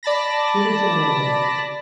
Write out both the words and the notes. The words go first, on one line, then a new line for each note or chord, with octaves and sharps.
She lives in London.
D5 A5 B5 A#6